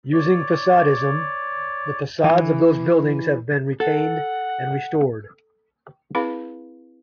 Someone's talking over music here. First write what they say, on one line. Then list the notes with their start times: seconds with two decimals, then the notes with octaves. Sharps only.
Using facadism, the facades of those buildings have been retained and restored.
0.13 C#5 D5
2.24 E3
3.80 A4 F#5
6.15 C4 E4 G#4 B4 F5 B5